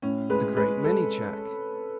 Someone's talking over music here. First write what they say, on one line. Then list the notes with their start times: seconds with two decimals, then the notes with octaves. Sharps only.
"A great many, Jack."
0.02 A2 C#4
0.30 G#3 B4
0.57 G#3 B4
0.84 G#3 A4